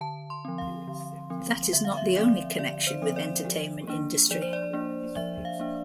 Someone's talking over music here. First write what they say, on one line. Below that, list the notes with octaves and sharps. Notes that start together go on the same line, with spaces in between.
That is not the only connection with entertainment industry.
D3 A5
C6
F3 C4
F5
D3
F3 C4
D3 E5
F5
E5
F3 C4 D5
D3 D5
C5
F3 C4
D5
F3
A#3 D4
F3 D5
C5
D5
A#3 D4
F3 E5
F5
A#3 D4